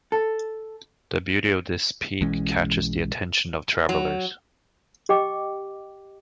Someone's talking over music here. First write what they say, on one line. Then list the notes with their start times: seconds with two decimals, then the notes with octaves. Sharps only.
The beauty of this peak catches the attention of travellers.
0.12 A4
2.21 B1 E3 G#3 C#4
3.89 F#3
5.09 G4 D#5 G5 D6